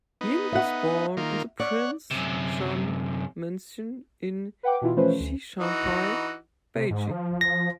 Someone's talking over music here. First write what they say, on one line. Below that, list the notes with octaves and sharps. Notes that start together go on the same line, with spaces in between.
Jin was born in the Prince Chun Mansion in Shichahai, Beijing.
B3 D#4
E5 F#5
D#3 A#3 F4
C#5 D5 F#5
F#2 C3
B4 F#5 G5 D6
B2 E3 E4 F4
E3 F3 A3 C#4 B4 C5
D2
E3 D#4 F#4
C3
G#2
F3
A#6